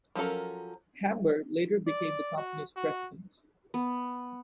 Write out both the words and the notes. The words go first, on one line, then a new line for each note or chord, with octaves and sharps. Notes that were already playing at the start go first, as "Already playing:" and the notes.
Hamber later became the company's President.
F3 F#3 C#4 A4 A#4
D5
F#4
F#4
B3